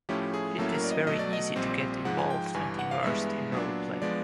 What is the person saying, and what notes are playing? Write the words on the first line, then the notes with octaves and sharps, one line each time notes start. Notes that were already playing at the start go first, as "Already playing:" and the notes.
It is very easy to get involved and immersed in role-play.
A2 F3 A3 C#4 E4 G4
G#4
A2 F#3 A#3 C#4 E4 A4
A4
A#4
D5
D#5
B2 F#3 A3 D#5
D5
D#5
A#1 A#2 G3 C4
G#2 F3 G#3 F#5
G#5
G5
G1 G2 E3 G#5
F#5
F5
G2 E3 G#3 B3 E5
A#2 F#3 B3 D4
F3 G#3 B3 D4 D5